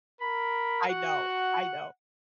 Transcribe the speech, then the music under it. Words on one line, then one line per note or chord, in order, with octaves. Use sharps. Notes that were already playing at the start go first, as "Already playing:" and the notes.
I know, I know.
A#4 B5
F#4 F#5